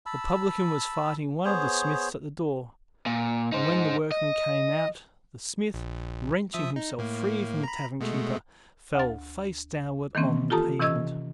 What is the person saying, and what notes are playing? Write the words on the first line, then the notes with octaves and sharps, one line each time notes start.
The publican was fighting one of the smiths at the door, and when the workmen came out the smith, wrenching himself free from the tavern keeper, fell face downward on the pavement.
A5 B5 E6
B3 G#4 C5 C#5
A#2
D#4 C5
D#5
A#1
F3 E5 D#6
D#4
A2 A#3
A#5 B5
B2 G#3 A3
D2 A6
D#3 E3 A#3 C4 C#4
F4 G4 A4 A5 A#5 D#6
C3 E3 C#4 D#5 E6 G#6